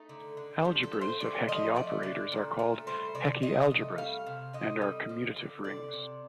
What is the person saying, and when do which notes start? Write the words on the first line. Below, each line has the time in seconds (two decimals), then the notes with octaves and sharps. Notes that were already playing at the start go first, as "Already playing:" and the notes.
Algebras of Hecke operators are called Hecke algebras, and are commutative rings.
Already playing: A3 D#4
0.09 D3
0.37 D3
0.64 F3 G4
0.83 A4
0.93 A3
1.01 C5
1.20 A3 D5
1.48 F3 D#5
1.76 A3 D5
2.03 D3
2.32 A#2
2.59 A3
2.87 G3 C5
3.15 C3 D5
3.42 C3 D#5
3.71 A3
3.98 G3 F5
4.26 C3
4.53 D3 D#5
4.82 G3
5.09 F3
5.37 D3
5.64 C3 D5
5.93 C3